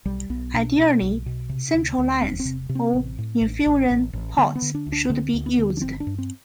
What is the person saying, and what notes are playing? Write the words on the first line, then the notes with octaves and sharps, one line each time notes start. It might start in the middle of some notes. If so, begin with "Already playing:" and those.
Ideally, central lines or infusion ports should be used.
B1 G3
B1 B3
B2 D4
B2
B1
B2
C3
D2
D2
E1 C4
C4
C3
C3
C4
A1
A2
A1
A1
A1
A1
D3 B3
B3
D3
D4
D2
D4
D3 C4
D2
B3
D3
D4
G1 C4
D4
G2
C4